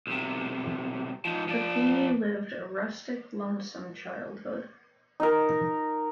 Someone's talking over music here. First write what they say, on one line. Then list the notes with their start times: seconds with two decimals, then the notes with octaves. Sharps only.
Papini lived a rustic, lonesome childhood.
0.07 B1 C3
1.25 F3 D#4
1.49 F3 D5
5.20 D#4 A#4